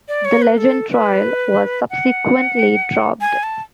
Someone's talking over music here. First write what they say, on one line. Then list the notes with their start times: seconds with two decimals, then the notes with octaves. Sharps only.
The "Legend" trial was subsequently dropped.
0.08 D5
0.25 C#5
0.42 B4
0.58 A4
0.91 B4
1.90 F#5
3.21 G#5
3.43 A5